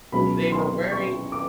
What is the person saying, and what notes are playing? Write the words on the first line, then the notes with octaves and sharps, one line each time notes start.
They were wearing
C#2 B2 F#3 B5
C6
C#6
D6